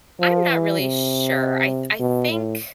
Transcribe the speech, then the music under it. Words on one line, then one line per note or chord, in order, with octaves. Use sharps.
I'm not really sure. I th I think,
F3
E3
C3
B2
A2